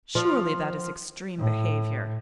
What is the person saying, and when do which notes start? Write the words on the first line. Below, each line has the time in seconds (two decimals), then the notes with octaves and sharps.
Surely that is extreme behaviour.'
0.15 F3
1.39 A2